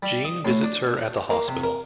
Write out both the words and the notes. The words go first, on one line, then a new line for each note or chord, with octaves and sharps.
Gene visits her at the hospital.
G3
D#5
A2
D4
A#3
C3
A#4